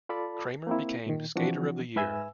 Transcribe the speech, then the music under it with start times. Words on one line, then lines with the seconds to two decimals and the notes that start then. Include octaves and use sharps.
Kramer became Skater of the year.
0.09 F4 A4 D5 A5 B5
0.67 A#3 C4 E4
1.07 A#2 D#3
1.36 E3 F3 C4 D4 F#4
1.96 G#2 B4 E5 G#5 E6